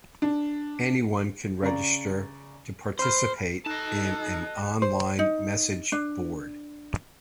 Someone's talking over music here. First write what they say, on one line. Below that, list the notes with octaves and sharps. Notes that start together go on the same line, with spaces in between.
Anyone can register to participate in an online message board.
D4
C#3 D5 A#5
C5 B5 F6
D#4 A4 D#5 A5 F#6
C5
D#4
D4